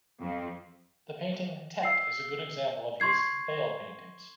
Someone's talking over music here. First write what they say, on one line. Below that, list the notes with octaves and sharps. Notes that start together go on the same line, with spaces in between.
The painting "Tet" is a good example of his "Veil Paintings".
F2
E6 C7
C6 C#6 G#6 C7